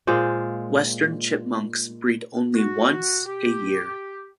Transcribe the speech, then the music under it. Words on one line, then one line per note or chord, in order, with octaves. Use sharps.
Western chipmunks breed only once a year.
A#2 G#3 F4 C5
F#4
G4